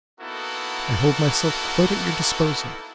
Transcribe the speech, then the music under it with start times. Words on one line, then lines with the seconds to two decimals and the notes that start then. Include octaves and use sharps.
I hold myself quite at your disposal.
0.20 A#3 B3 D#4 E4 F#4 A4